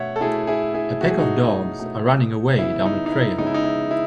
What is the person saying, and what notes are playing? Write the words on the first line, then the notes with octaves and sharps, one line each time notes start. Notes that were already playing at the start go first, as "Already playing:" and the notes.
A pack of dogs are running away down a trail.
Already playing: B2 A3 C#5 E5 F#5
A4
B2 A3 E4 G#4
E4 G#4
E4 G#4
B2 A3 F#4
G#4
D#4 F#4
B2 A3
C#3 G#3 B3 E4
D#4
D#4
E4
C#3 G#3 B3 D#4
E4
D#4
E4
E4